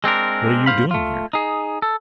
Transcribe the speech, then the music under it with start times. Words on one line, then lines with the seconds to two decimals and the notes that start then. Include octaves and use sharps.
What are you doing here?'
0.04 G#3 C4 D4 A#4
0.66 C2 G#2 C5 F5 B5
0.91 A3 F4
1.33 D#4 G#4
1.82 A4